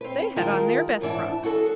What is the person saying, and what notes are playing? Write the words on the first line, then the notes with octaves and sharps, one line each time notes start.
They had on their best frocks.
C4 B4
D#3 F3 G#3 F4 A#4
D2 G#2 E3 D4 A5
F#4 G#4 A4